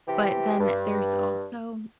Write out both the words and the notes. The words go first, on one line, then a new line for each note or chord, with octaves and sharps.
but then there's also
C3 E3 G4
G2